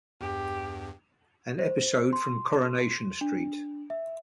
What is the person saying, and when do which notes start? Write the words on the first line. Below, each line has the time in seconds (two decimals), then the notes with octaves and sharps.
An episode from Coronation Street.
0.21 E2 G2 G4
1.59 C5
2.13 C6
3.21 D4
3.90 E5